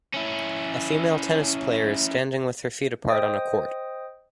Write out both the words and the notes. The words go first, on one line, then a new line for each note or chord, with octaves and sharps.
A female tennis player is standing with her feet apart on a court.
C#4 E4
C5 D#5 G5 D#6